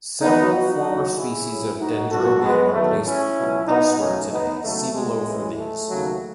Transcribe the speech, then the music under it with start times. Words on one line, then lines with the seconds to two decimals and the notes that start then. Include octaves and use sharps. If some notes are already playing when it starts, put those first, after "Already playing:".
Several former species of "Dendrobium" are placed elsewhere today; see below for these.
0.22 G#1 F#2 E3 B3 D#4
0.53 D#4 F#4
0.85 D#2 C#3 F#3
1.17 E4 G#4
1.49 A1 A2 F#3
1.79 D#4 F#4
2.11 C#2 B2 F#3 F#4 A4
2.42 G#3 B3
2.74 E2 D#3 F#3 A3
3.05 C#4 E4
3.36 C#2 B2 F#3
3.68 B3 D#4
4.00 B1 B2 F#3 A3 C#4
4.32 B3 D#4
4.63 D#2 C#3 F#3 A3
4.94 G#3
5.26 A1 A2 E3
5.58 A3
5.89 D#2 C#3 F#3